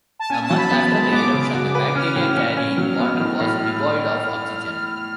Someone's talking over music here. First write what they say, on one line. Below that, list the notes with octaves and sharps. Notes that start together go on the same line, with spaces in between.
A month after the eruption, the bacteria-carrying water was devoid of oxygen.
A5
C#4 G#5
A5
F#3
B5
B3
G#3
B3 D6
C#3
F#4
B4
C#4 F6
A2
C#4
C#4
F#3
B3
A2
A2